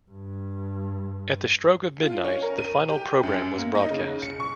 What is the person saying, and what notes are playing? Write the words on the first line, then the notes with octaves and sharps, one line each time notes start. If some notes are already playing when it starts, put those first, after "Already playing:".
At the stroke of midnight, the final program was broadcast.
G2
F4
C#4
A#4
D#7
G4
F#2
A#3
D#4
C#3
C#7
C#6